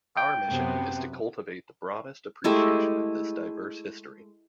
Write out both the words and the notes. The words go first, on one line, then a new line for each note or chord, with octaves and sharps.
Our mission is to cultivate the broadest appreciation of this diverse history.
G5
F#2 C3 B3
G#3 A3 E4 G4